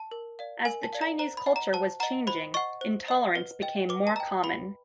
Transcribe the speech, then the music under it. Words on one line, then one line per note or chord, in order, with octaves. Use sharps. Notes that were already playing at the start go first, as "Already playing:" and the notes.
As the Chinese culture was changing, intolerance became more common.
Already playing: A5
A#4
D5 F5
A#4 G#5
A5
D5 F5
A#5
C5 A#5
B5
D#5 F#5
A#5
C5 A5
D#5 F#5 A#5
C5 B5
D#5 F#5 C#6
C5
D#5 F#5
B4
D#5 G5
B4 D6
A5
D#5 G5 A#5
B4 B5